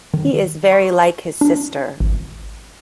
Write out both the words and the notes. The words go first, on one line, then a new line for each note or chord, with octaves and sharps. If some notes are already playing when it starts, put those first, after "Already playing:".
He is very like his sister.
D#3
C#6
D4
G#1